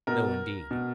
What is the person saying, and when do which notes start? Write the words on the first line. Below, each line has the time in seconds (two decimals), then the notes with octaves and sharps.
No, indeed.
0.07 B2 A#4
0.71 B2